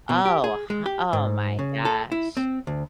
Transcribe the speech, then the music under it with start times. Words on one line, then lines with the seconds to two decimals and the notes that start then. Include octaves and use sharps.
Oh, h oh my gosh!
0.09 B2
0.25 G4
0.44 G#4
0.70 G#3
0.86 G4
1.13 G#2
1.59 C#3
1.85 A4
2.12 E4
2.37 C4
2.67 D2